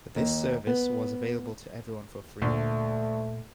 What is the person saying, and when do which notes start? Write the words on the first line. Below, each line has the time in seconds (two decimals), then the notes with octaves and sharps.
This service was available to everyone for free.
0.16 D#2
0.67 B3
2.42 D2 A#2 A3